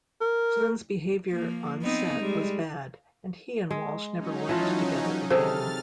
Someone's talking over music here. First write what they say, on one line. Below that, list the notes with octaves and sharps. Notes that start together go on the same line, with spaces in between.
Flynn's behavior on set was bad and he and Walsh never worked together again.
A#4
F3 A#3
B3 C4 D#4
G3 G#3
G#3
F#3 C#4 D#4
E3 F3 F4
C3 G#4 A4 C5 F6 A6